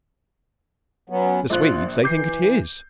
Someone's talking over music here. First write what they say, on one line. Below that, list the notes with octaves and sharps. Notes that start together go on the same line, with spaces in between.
The Swedes, they think it his.
F#3 B3 C#4
A#1 F4 C5 F#6
E3 D6 G6 C7